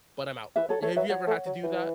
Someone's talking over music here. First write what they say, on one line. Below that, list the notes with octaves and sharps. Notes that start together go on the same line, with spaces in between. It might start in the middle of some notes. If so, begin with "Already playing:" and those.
but I'm out." Have you ever had to do that?
E3 B4 E5
F#3 A4 C#5
A3 A4 C#5
F#3 B4 E5
F#3 C#5 F#5
A3
F#3
E3